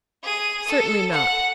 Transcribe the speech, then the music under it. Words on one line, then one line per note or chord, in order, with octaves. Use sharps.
Certainly not.
G#4 D#7
A4
F#5